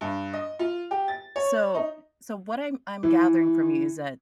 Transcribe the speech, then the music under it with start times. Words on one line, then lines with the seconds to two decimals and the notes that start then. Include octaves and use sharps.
So so what I'm I'm gathering from you is that,
0.01 G2
0.33 D#5
0.59 F4
0.91 G4
1.08 A6
1.36 C#5
1.75 D#4
3.03 E3